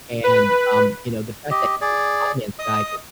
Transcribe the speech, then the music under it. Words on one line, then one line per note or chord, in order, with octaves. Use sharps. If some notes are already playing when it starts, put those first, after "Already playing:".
and, um, you know, the fact that he was finance guy, 'cause,
B4
G4 D#5
G#4 D5
D#5 D#6